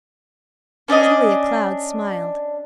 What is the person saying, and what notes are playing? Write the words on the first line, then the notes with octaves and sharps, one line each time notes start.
Julia Cloud smiled.
C#4 D4 A4 D#5